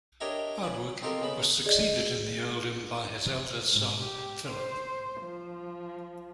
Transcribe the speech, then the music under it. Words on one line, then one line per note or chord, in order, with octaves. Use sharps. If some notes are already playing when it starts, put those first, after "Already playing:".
Hardwicke was succeeded in the earldom by his eldest son, Philip.
D4 G4 A#4 C#5 D#5 E5
C#4 B4 D5
C4 D#4 F4 G4 A4 A#4
C#3 B3 B5
G#4 D5 D#5
G#2
G4
C5
F3